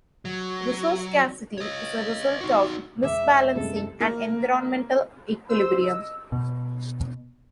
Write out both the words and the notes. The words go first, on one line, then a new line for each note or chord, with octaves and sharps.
Resource scarcity is a result of misbalancing an environmental equilibrium.
F#3
C#5 D#5
D#4 F#4
E1 E5 D6
C2 F#2 G#3 A4
A#3
C5 E6
D#5
B2